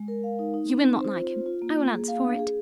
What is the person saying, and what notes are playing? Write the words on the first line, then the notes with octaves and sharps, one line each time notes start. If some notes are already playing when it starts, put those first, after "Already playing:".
"You will not like him, I will answer for it."
Already playing: G#3
A#4
F5
D#4
D#4
C4
C4
C5
F4
F4
F4
A#3
A#3
G#4
F5
D4
G#4